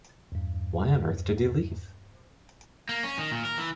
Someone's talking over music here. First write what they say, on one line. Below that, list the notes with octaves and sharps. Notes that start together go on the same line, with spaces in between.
Why on earth did you leave?
E2 G2
A#3
C#4
D#3
A#2
A#4
E3